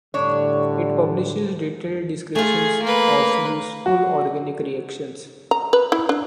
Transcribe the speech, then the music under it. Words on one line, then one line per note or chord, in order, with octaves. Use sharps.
It publishes detailed descriptions of useful organic reactions.
A2 D3 G3 D4 C#5
A3 F4 G#4
A#3 B4
F#4
A#5
B4
E4
D4